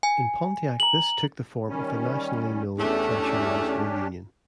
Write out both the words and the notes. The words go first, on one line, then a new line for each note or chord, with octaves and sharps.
In Pontiac this took the form of the nationally known Threshermen's Reunion.
G#5
A#5 F#7
D#3 G3 C#4
E2 A3 C#4 D4 G4